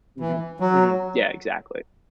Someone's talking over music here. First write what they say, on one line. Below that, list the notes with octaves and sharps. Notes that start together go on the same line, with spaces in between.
Mhm. Mhm. Yeah, exactly.
E3
F#3